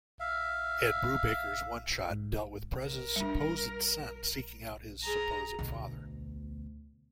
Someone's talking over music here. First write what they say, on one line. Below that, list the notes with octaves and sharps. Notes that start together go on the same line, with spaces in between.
Ed Brubaker's one-shot dealt with Prez's supposed son seeking out his supposed father.
E5 F5
G#2
A#4
G3 D4
G#4 A#5
D2 B2